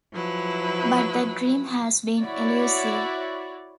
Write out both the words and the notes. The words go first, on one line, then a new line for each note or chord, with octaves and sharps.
But that dream has been elusive.
F3 F#3 E4 B4
E4 F#4 C#5 D5